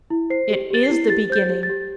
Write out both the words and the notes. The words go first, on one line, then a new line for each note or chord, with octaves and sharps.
It is the beginning!
E4
C5 C7
G4
G4 A6
C7
E4
G4 A6
C5 G6
A6
G4
A6
G4